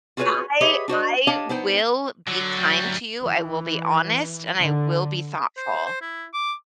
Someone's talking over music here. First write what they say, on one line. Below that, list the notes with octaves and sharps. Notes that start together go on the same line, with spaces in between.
I I will be kind to you. I will be honest, and I will be thoughtful.
F4 F#4 G#4 A#4 B4 C#5
G4 G#4 B4 C#5 D#5 E5
D4 F#4 C5 D#5
D4 G4 C#5 D#5 F5 A5
B3 D#4 C5 G5
D3 F#3
D2 G3
E3
D3
C5
C5
E4
D6